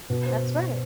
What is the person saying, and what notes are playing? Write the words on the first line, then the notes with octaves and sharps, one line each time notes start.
That's right.
B2
C5